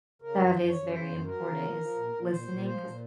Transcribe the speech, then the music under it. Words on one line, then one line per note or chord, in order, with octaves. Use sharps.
that is very important is listening 'cause,
C#3 A#4
F#2
C5
F#2
C#5
F#2
C#3 C5
F#2
F#3 A#4
C#3
F3
F3
A#2
A#2
A#2 C5
A#2
F3 C5
A#2